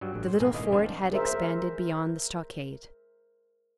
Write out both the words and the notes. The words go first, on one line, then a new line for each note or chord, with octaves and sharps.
The little fort had expanded beyond the stockade.
G2 F#3 G3
A1
C5
B1 G#2 B2 A#3 C4 G#5
D#3 E4 D5 D#5 F5
C4 D4 B4 C5 F5 G#5
G#4 A#4 C5 E5